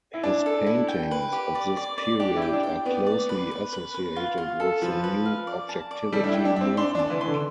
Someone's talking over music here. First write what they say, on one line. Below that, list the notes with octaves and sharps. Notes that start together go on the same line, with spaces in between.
His paintings of this period are closely associated with the New Objectivity Movement.
E4
D4 A5
A4
E4
G5
B4
G4
D5
D5
D5
D4 G4
E4
G5
D4
G5
B3 D5
D5
B4
B4
B4
B4
F4
F4
A4
F3 B4
B4
F5
D5
A5
D5
G3 A4
D4
E4
G5
D4
C4 E5
D4 C6
D4
A5
E3
C6
D3